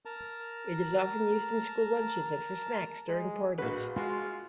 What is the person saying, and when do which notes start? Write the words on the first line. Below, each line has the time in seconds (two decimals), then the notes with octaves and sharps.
It is often used in school lunches and for snacks during parties.
0.05 A#4 A5 A#5
3.09 G#3
3.58 A#1 F#4 B4
3.96 G#3 F4 F#4